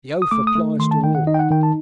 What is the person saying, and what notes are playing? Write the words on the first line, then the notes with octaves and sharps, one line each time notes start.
"The oath applies to all."
D#6
A3 D6
D#6
A3
D#3 C6
A5
D#3 G5
F#5
D#4 D#5
G5
F#5
D#3 G5
A5